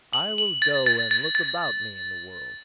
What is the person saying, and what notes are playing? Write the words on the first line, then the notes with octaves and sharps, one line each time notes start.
I will go and look about me in the world.'
F#7
F#7
A6
A6
A6
A6